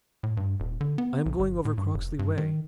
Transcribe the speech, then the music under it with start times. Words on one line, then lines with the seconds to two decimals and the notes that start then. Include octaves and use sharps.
"I am going over Croxley way."
0.23 A2
0.37 G2
0.60 D#1
0.81 D3
0.98 B3
1.26 B1
1.39 G1
1.65 A2
1.78 G2
1.94 F1
2.19 G2
2.38 D#3